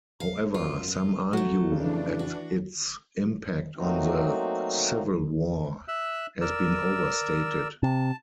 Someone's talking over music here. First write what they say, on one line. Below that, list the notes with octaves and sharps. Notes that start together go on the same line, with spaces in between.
However, some argue that its impact on the Civil war has been overstated.
F5
F#2 F4
F4
F#3 A3 F#4
F2 C#3 E3 D4
F#4
F#3 A3 A#3 C4 D#4 F#4
E5 E6 F#6
A#4 D5 E6
C3 A5